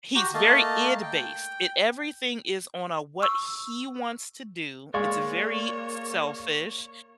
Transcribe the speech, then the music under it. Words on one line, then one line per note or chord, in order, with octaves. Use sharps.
He's very id based. It everything is on a what he wants to do. It's a very selfish.
F#4 G4 A#5
A3 A#3 D#5 F5 A5
G5
C#6 E6
G#3 A#3 C#5 D5 F5 C#6